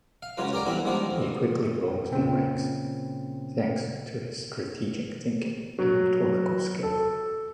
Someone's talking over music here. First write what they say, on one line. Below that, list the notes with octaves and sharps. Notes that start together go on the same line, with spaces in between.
He quickly rose in ranks thanks to his strategic thinking and rhetorical skill.
F5
C#3 F#3 G#3 C#4 F4 B4
G4 A#4 D5 G5
D3 E3 G3 B3 C4 B5
D#3 F3 G3 G#3 B3 D4
F2
A#2 C#3 C4
F#3
A4